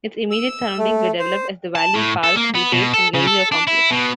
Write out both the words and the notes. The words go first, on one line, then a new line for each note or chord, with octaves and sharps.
Its immediate surroundings were developed as the Valley Park Retail and Leisure Complex.
E6
A3
C5
A5
A2
A4
A#3
B3
B2
A4
C#3
A4
D4
E4
B2